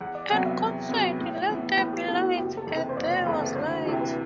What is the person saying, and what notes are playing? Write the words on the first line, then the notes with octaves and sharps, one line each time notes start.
And God said, Let there be light: and there was light.
E2 F#5
D5
C3 F#3 B3 F#5
E5
E2
C3 F#3 B3
A2
E3 B3
A2 B4
G4
E3 B3 A4
F#4
F#1 G4
A4
E2 C3
B4
C5
F#1 D5
C5
E2 C3 B4
A4
D2 C5
F#4
C3 E3 G4
B4